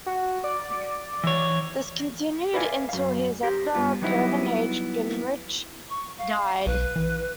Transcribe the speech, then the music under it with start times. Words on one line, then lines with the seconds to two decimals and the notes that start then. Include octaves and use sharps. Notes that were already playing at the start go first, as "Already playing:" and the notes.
This continued until his editor, Curvin H. Gingrich, died.
0.06 F#4
0.44 D5
1.24 E3 C#5
2.53 A#4 B4 D5 E5 F5 G#5
2.89 F#2 F5
3.43 G4 A#4 C5
3.75 G2 B3 F4
4.02 F#3 G3 B3 D#4 E4
5.90 C#6
6.18 F5
6.66 B1 B4
6.96 E3